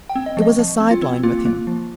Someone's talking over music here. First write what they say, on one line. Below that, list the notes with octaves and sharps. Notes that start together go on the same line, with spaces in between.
It was a sideline with Him.
G5
C4
D#5
F3
D#5
F3
C4
F4
C4
A#3 F4
A#3
F3